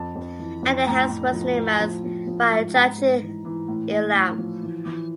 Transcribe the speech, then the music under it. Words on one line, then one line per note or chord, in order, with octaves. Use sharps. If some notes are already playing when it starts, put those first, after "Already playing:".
And their house was name as "Rajaji Illam".
Already playing: F2 A5
F2
E3
F2
A2 A#5
A2
F3
A2
F3
F3
F3
G#2
G#2 A#5
G#2
E3
E3
A2
A2
A2
F3
E3
E3